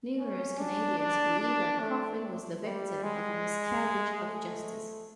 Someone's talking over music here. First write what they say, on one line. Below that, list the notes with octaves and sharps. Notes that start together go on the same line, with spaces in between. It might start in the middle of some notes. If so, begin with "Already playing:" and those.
Numerous Canadians believe that Coffin was the victim of a miscarriage of justice.
C#4
D4
D4
D4
A3
G3
G#3
A3